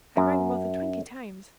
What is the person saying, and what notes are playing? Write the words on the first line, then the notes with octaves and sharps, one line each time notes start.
I rang more than twenty times.
F#2